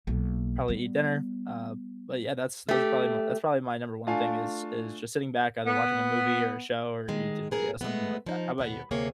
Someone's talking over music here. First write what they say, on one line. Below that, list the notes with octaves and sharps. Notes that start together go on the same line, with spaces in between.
probably eat dinner. Uh, but yeah, that's those are probably my That's probably my number one thing is is just sitting back either watching a movie or a show or a YouTube video, something like that. How about you?
B1 A#3
G3 B3
A3 G4
A3 D4 F4 F5 G#5
B3
D#3 G#3
B3 G#4 A#4
G#3 A3 B3
F3 D#4
D#2 B2 B3
D2 C3 A#3 G#4 C#5